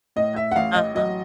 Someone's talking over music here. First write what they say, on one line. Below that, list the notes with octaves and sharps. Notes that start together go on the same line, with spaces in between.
Uh uh-huh.
A2 D#5
E5
F#5
A1 F5
D#5
F#3 D#5